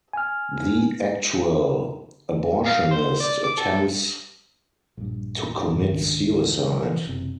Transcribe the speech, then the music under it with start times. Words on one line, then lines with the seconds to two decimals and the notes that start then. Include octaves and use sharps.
The actual abortionist attempts to commit suicide.
0.13 G#5 F6
2.66 F5
2.91 C5
3.20 D5
3.44 D6
3.57 A4
4.97 A#1 G2
5.75 G2 C3 D#3 F3
5.91 C#2 G#2 D#3 D4
6.72 F3
6.88 E3
7.07 F#1 C3